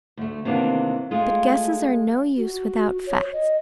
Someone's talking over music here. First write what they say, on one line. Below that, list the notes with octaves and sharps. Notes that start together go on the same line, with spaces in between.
But guesses are no use without facts.
D2 A3
C3 D#3 E3 A#3 B3 D4
G#3 A3 F4 G#4
F#4
C#5
D#5